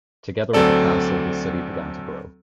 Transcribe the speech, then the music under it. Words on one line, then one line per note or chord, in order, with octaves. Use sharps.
Together with the castle the city began to grow.
D2 F#3 C4 A4 D5